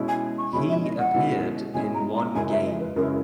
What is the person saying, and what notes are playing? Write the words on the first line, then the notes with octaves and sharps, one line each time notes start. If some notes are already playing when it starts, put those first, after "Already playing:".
He appeared in one game.
Already playing: B2 G#3 C#4 E4
G#5
C#6
B2 G#3 C#4 E4 B5
E5
D#5
F#5
B2 G#3 C#4 E4
B2 G#3 C#4 E4 G#5
A#5
A#5
F#2 C#3 G#3 C#4 E4 G#5
E5
D#5
B4
F#2 C#3 G#3 C#4 E4 A#4